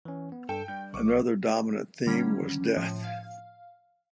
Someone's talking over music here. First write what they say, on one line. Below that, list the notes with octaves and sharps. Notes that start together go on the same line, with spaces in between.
Another dominant theme was "death".
E3 C#4
B3
G2 A4 G5
G2 G6
B1 C#6 D6
D3 D#3 G3 C#4
A2 F3
F5